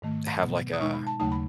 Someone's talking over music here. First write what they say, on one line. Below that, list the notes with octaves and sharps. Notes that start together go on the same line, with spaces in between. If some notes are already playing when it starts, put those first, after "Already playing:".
to have, like a
G#2 D#3 A3
B2 F#3 B3
D#6
B2 G#3 D#4 C#6
B5
A5
D#2 C#3 F#3 A3 D#4 A5
B5